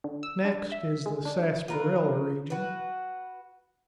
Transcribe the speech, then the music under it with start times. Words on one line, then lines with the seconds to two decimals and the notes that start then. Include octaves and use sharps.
Next is the sassparilla region.
0.04 D3
0.23 E6
0.45 D4
0.72 E5
1.06 G#3
1.25 D4
1.68 F4 A#4 B4
2.50 F#4 B4